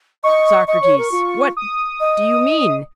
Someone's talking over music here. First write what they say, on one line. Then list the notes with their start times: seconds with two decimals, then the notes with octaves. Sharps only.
SOCRATES: What do you mean?
0.24 D#5 C#6
0.68 D#5 C#6
0.82 C#5
0.98 A#4
1.12 F4
1.57 D#6
2.00 D#5